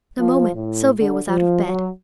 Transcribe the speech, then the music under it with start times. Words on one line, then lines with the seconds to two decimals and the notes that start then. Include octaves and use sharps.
In a moment Sylvia was out of bed.
0.19 F3
0.55 A2
1.00 D3
1.29 F3
1.66 F#3